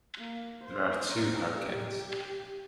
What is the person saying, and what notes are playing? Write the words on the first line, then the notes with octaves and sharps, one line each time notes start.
There are two Hurricanes.
A#3
C5
A#4
G4